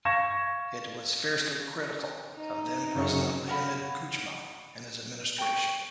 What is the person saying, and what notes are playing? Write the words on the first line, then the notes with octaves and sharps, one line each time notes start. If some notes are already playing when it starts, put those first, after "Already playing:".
It was fiercely critical of then-President Leonid Kuchma and his administration.
F5 C#6 G#6 A#6 E7
D#4
F#2 C#3
F#4 F5 B5
G5 C#6